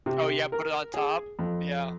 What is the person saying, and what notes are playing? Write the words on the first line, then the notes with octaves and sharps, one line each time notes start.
Oh yeah, put it on top? Yeah.
C3
A#4
G#4
F2